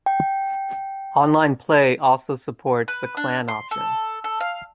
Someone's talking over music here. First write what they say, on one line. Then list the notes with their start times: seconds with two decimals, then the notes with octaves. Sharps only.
Online play also supports the clan option.
0.06 G5
2.88 B4
3.17 D4
3.48 C6
3.71 A4
4.24 A4
4.40 F5